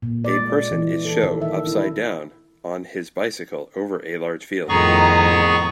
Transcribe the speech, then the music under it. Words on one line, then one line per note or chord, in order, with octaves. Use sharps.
A person is show upside down on his bicycle over a large field.
A#2
D5
G#3
E3
A4
D#3
E5
E4
F2 A2 D#3 B3 G#4 A#5 C#6